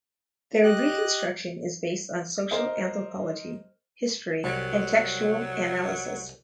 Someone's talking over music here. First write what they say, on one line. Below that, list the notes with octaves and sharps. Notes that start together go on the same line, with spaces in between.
Their reconstruction is based on social anthropology, history and textual analysis.
G4 D#5 F#6
A#4 C5 D#5
C2 F#3